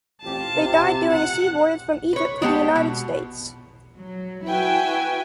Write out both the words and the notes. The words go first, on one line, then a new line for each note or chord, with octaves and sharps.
They died during a sea voyage from Egypt to the United States.
A1 C4 F4 G4 A5
C3
F#5
B4 C#5
G#3 B3 G4 A5
B2
F#3
E4 F#4 B4 E5 G5 G#5